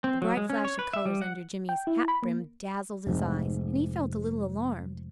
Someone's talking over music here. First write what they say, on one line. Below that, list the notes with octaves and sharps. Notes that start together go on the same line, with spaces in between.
The bright flash of colours under Jimmy's hat-brim dazzled his eyes, and he felt a little alarmed.
C4
F#3
G#3
C#4
C#5
B4
E5
G3
F#5
G5
E4
B5
A#3
F1 G#2